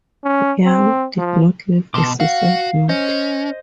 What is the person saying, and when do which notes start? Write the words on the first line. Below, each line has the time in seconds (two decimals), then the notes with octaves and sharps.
Yung did not leave a suicide note.
0.24 C#4
0.65 C4
1.18 F3
1.94 B2 A5 C6 D6
2.20 F#4 F5 F#5
2.89 C#4 C5 D#5